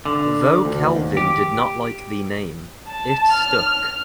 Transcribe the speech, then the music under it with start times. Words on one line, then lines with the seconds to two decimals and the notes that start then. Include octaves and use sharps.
Though Clavin did not like the name, it stuck.
0.05 D3
0.65 D2
0.95 D#2
1.17 G4
2.87 A5
3.31 F6